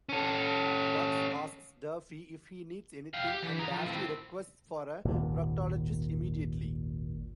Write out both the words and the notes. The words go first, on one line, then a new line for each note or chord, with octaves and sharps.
Bugs asks Daffy if he needs anything and Daffy requests for a proctologist immediately.
C#4 A4
G4 F5
G4
E3
G#4 A#5
F3
A2 C4
G#1 D#2 A#2